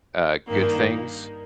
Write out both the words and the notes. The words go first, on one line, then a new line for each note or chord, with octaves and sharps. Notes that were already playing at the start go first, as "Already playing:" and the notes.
uh, good things.
G2 D#3 A#3